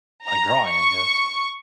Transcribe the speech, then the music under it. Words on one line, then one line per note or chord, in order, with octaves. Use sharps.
Like, drawing, I guess.
A#5
C#6